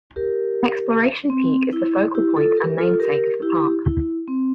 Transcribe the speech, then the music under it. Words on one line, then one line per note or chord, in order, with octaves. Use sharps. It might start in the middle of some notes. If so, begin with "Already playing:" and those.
Exploration Peak is the focal point and namesake of the park.
G4 A#4
C4
E4
E4 G4
F4 A4
G4 A#4
F4 A4
G4 A#4
E4 G4
E4
C4